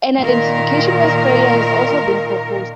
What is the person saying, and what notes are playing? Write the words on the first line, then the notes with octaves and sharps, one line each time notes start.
An identification with Freyr has also been proposed.
A#2 D#3 A#4